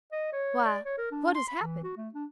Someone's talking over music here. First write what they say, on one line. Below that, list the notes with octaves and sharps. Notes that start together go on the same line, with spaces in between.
"Why, what has happened?"
D#5
C#5
D5
C#5
A#4
D4
C6
B5
E3
F#4
A3
D4